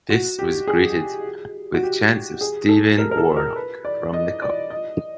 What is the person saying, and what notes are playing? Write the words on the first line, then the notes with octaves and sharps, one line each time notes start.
This was greeted with chants of 'Stephen Warnock' from the Kop.
F#4
G4
G#4
F#4
G4
G#4
A4
A#4
A#4
A4
A#4
B4
D5
D#5
D5
D#5